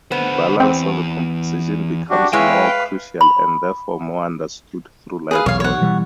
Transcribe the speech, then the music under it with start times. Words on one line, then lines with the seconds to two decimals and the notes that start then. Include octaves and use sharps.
Balance of a composition becomes more crucial and therefore more understood through life drawing.
0.12 D3 B3 C5
0.60 E2 C4
2.10 D4 F#4 G4
2.33 G#3 E4 B4 C#5 F5 G5
3.21 B5
5.31 G#4 B4 F5
5.46 B1 E2 C#5 F5
5.60 C#5 F#5
5.81 B2 E3 G3